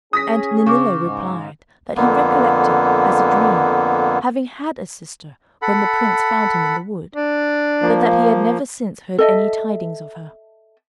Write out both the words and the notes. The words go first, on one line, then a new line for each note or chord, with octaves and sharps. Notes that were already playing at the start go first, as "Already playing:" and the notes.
And Nennillo replied, that he recollected, as a dream, having had a sister when the Prince found him in the wood, but that he had never since heard any tidings of her.
C#4 G#4 D#6 A#6 B6
C#3 C#6 D6
G#2
F2 D3 A#3 B3
A4 F#5 B5
D4
F3 A#3
A4 D#5 E5